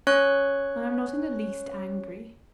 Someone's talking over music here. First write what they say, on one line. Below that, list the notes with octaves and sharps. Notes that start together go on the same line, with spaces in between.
"I am not in the least angry."
C#4 C#5 C#6 F#6